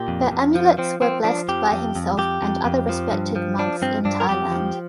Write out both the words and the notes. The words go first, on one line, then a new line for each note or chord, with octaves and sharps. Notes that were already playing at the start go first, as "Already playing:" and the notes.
The amulets were blessed by himself and other respected monks in Thailand.
Already playing: A#2 G4
F2
F2
F3
F3 C4
F3 C4
F3 D4
F2 G4
F2
F2
F2 G4
F2
F2
F3
G2
F3
F3 D4
G2 C4
G2 D4
A#4
F2 G4
F3